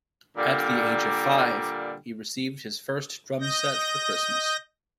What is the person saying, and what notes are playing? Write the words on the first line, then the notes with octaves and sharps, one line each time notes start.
At the age of five he received his first drum set for Christmas.
A#2 D3 G3 A#3
D#5 G6 A#6